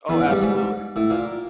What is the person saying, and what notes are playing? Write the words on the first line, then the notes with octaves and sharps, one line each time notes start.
Oh, absolutely.
E2
G#2
G2
G#2
A2
A#2